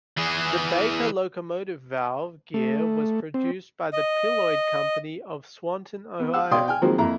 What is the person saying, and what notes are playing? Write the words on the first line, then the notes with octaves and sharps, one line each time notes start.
The Baker Locomotive Valve Gear was produced by the Pilliod Company of Swanton, Ohio.
E3 G#4
A3
C4
D#5
B3
F5 F#5 E6
B2 D5 F5 G5 C6 D#6
G5 G#5 F6
D#3 F3 F#3 G#3 A#3 C4
F2 A#3 E4 A#5